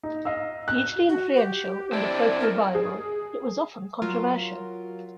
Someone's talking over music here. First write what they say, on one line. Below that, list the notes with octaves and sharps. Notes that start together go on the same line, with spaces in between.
Hugely influential in the folk-revival, it was often controversial.
D#4
D#5 F5 E6
F#6
F#4
G4
C4 D4 E4 D5
A#4
G#4
F#3 F4 F#4 A#4